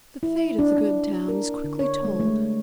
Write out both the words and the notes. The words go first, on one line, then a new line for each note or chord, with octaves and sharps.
The fate of the good town is quickly told.
E4
D4
D4
A#4
D3
C#5
G#3
A3